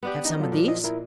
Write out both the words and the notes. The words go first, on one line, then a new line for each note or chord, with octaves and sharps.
"Have some of these?"
B3 D4 G4
D4 D#4 D#5
F#3 F4 A4
A#2
F3 D#5
E4 A#4